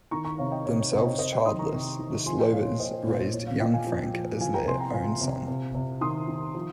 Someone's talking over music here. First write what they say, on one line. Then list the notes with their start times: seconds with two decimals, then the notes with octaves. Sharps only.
Themselves childless, the Slovers raised young Frank as their own son.
0.11 D#3 A#5 C#6
0.25 A#5 C#6
0.38 C3 C#5 F5
0.51 D#5 G5
0.65 C3 C#5
0.79 C#5
0.91 C3 C5
0.99 D#5
1.05 C#5
1.18 C3 C5 D#5
1.32 D#5 G5
1.45 D#3 C6 D#6
1.59 A#5 C#6
1.72 C3
1.99 D#3
2.26 F3 G#5 C6
2.39 D#5 G5
2.53 A#2 C#5 F5
2.66 C#5
2.80 A#2 C5 D#5
2.93 C5
3.07 A#2 C#5
3.20 C5
3.33 A#2 C#5
3.47 C#5 F5
3.60 A#2 D#5 G5
3.73 F5 G#5
3.87 F3
4.14 F3
4.40 F3 F5 G#5
4.54 G5 A#5
4.67 C3 G#5 C6
4.81 G5 A#5
4.94 F3 F5 G#5
5.21 C3
5.48 C3
5.75 C3
6.01 D#3 C6 D#6
6.28 D#3
6.55 F3